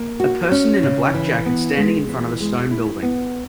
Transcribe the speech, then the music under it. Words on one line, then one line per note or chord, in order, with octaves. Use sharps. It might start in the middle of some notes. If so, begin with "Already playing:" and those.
A person in a black jacket standing in front of a stone building.
Already playing: A#3
F#4
C#4
C#3
E3
B3
G#3
E3
G#3
E4
B3